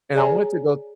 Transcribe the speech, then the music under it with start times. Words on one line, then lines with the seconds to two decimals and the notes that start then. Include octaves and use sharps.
and I went to go
0.14 G#4 C#5 D5 G#5 A#5